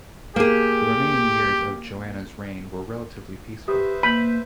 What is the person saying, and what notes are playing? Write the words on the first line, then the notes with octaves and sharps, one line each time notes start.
The remaining years of Joanna's reign were relatively peaceful.
A#3 G4 G#4
G4 B4 C5 E5 D#6
A#3 B5 G6 D#7